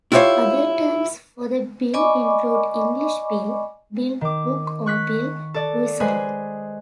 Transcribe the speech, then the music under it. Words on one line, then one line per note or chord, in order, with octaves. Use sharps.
Other terms for the bill include English bill, bill hook or bill-guisarme.
E4 F4 G4 A#4 C#5 F5
D5 D#5 G#5 B5 C#6 D6
D#3 D6
C#6 F#6 B6
A4 D5
G#3 G#4 B4 C5 G#5